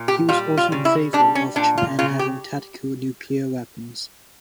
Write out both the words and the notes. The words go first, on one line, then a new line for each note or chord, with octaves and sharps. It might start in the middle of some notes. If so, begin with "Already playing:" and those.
He was also in favour of Japan having tactical nuclear weapons.
Already playing: A#2
G4
G3 F4
F4
C#3
E4
G3 D4
C#4
A#2 D4
F4
C#3 F4
G4